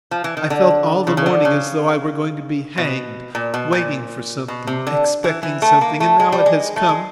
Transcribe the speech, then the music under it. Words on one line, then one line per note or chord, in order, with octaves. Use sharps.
I felt all the morning as though I were going to be hanged, waiting for something, expecting something, and now it has come!
F3
E3
D#3
D3
C#3
C#3
D3
C#3
B2
A#2
B2
A#2
B2
C3
D3
E3
E3
A3
A#3
A3
G#3
G3
G#3
A3
G#3